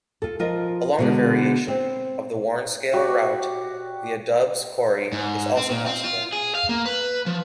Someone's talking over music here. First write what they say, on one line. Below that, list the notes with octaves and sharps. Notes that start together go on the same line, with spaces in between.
A longer variation of the Warnscale route via Dubs Quarry is also possible.
F4 A4
F3 F4 A#4 D#5
B2 D3 G#3
C4
F#4 G4 D5 C#6
G#2
C4
A#2
C4
F4
G#4
F5
A#3
B4
F3